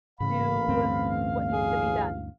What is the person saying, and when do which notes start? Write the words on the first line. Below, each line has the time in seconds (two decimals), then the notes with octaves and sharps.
do what needs to be done.
0.20 A1 G#2 C#3 F5 B5
0.68 D2 G2 C4
1.53 G#4